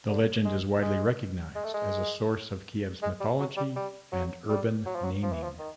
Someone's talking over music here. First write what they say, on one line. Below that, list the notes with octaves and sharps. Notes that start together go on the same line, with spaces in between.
The legend is widely recognized as a source of Kiev's mythology and urban naming.
D3
G#3
G#3
G#3
A3
G#3
G#3
G3
F#3
G3
G3
F#3
G3
F#3
F3
F#3
F3
E3
F3
D#3